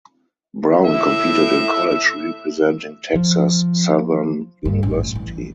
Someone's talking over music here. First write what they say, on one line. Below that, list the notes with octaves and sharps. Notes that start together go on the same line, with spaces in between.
Brown competed in college representing Texas Southern University.
A2 E5
F3
G2
A1
E3